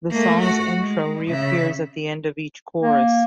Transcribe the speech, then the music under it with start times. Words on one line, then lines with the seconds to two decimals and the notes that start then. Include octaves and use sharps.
The song's intro reappears at the end of each chorus.
0.11 A3 A#3
0.42 F#4
0.78 G#3
1.28 C#3 E5
2.82 A#3